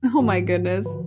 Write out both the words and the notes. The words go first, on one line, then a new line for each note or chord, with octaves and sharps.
Oh my goodness.
G#2 E3 F#4
D3 F3 B4